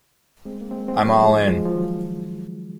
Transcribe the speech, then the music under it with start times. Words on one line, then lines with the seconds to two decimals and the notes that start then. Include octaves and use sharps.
I'm all in.
0.45 G#3 C4
0.61 A#3
0.71 G#3 C4
0.88 G#3 C4
1.05 F#3 A#3
1.22 F3 G#3
1.48 F3 G#3
1.66 F3
1.73 D#3 F#3